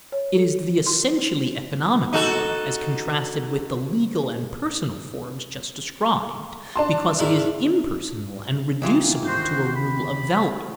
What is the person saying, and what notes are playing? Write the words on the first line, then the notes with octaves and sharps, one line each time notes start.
It is the essentially economic form, as contrasted with the legal and personal forms just described, because it is impersonal and reducible to a rule of value.
C#5
A4
C6
D#4 F#4 A4
D4 A5 C6
G#2 D#3 E4
D#2 E3 F4
F#4 C5
B5